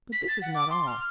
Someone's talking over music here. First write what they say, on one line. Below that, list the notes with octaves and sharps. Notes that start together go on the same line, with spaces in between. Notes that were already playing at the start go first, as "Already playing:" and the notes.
But this is not all.
B6
A6
F#5
D6
C6
F6